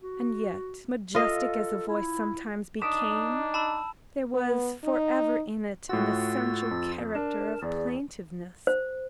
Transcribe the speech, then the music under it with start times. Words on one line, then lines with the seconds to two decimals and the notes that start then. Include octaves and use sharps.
And yet, majestic as the voice sometimes became, there was for ever in it an essential character of plaintiveness.
0.01 F#4
1.15 F4 A4 D#5
1.88 E4
2.82 D4 D#4 D#6 B6 D7 E7
3.54 A5 B5 E6
4.34 B3
4.84 D#4
5.89 A2 F4 F#4 E6 A6
6.71 F2
7.15 D4 A#4 A5
7.62 E2 G#4 D5
8.67 C5